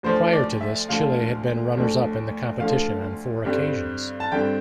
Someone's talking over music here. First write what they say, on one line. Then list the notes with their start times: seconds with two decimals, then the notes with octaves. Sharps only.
Prior to this, Chile had been runners-up in the competition on four occasions.
0.03 D2 D3 F3 C5
0.33 D5
0.61 E5
0.89 D2 D3 F3 F5
1.74 D2 D3 F3
2.60 D2 D3 F3 F5
3.45 G2 D3 G3 C4
4.20 A5
4.32 G2 D3 G3 C4 G5